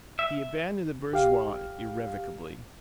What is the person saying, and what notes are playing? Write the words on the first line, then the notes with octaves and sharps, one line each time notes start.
He abandoned the bourgeoise irrevocably.
E5
A#1 G4 F5